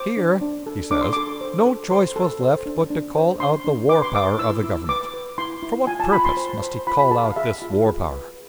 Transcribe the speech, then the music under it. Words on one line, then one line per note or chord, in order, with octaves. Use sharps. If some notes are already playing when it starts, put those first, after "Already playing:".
"Here," he says, "no choice was left but to call out the war power of the Government." For what purpose must he call out this war power?
Already playing: C5 D6
D4
D4
A4
D4 D6
C6
A4 D6
C5
A4
C5 C6
A4
C5
D4
D4
C5
D4 C6
D4
B4 D6
C6
B4 D6
E4 E6
E4
B4 D6
B4
E4 C6
E4
F4 G#5
A5
F4 B5
C6
C5
C5
F4 B5
B5
G#4 A5
F5
G#4 E5
F4
G#4
B4